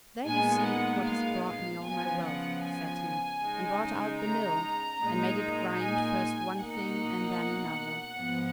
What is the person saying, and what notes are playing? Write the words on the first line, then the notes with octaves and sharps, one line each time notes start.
"There you see what has brought me all my wealth!" said he, and brought out the mill, and made it grind first one thing and then another.
A#2 G#3 B3 D#4 G#5
F#5
F5
F5
C#3 F3 B3 F4 G#5
F#5
G#5
C#3 G#3 D#4
A#5
A#2 G#3 D#4
G#5
B2 A#3 D#4 F#5
G#2 F3 B3